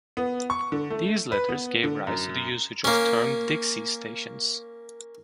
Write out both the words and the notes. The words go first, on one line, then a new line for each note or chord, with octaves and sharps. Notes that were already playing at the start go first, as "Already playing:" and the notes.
These letters gave rise to usage of the term Dixie Stations.
B3
C#6
D3
A3
B4
B3
D3
F#2
A#3 C#4